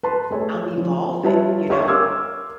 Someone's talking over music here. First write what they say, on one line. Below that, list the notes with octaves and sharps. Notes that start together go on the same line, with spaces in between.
I'm evolving. You know?
B4 A5 C6
A3 G#4 C#5
F3
G3 F4 B4 C#5 E5 A5
G4 C#5 E5 F5 C6 C#6
A#4 C6 D6 E6 F6 G#6